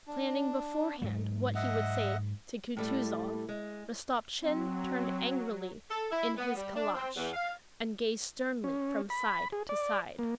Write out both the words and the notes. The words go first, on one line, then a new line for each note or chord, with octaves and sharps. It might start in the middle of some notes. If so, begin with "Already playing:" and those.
Planning beforehand what he would say to Kutuzov, Rostopchin turned angrily in his caleche and gazed sternly from side to side.
D4
G#2 F#3
D#5 E5 F#5
A2 G3 A3
G#3
F#3 C4
A4
E4
B3
G3
D4
C4
E2
F5
C#4
B5
G#4
D5
A#3